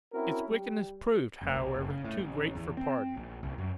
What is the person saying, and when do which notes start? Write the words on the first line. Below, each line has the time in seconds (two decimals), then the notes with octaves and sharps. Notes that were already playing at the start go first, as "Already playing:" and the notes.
Its wickedness proved, however, too great for pardon.
0.12 C4 C#4 E4 F#4 A#4
0.48 G3
1.42 F1
1.56 B1
1.75 F#1
1.90 C#3
2.04 A2
2.18 A1
2.55 E2
2.77 C4
3.17 A#1
3.43 C2
3.58 F#2